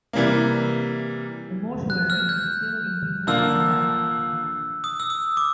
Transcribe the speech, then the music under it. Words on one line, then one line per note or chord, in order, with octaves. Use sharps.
The mortuary is still in business today.
C3 E3 G3 A#3
F#6
F6
G6
D3 F3 A#3 D4 F4 E6
D#6
E6
D#6
D6